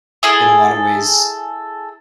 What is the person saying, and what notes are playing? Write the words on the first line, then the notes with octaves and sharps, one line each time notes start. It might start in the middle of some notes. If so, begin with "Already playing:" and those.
In a lotta ways,
E4 G#4 A4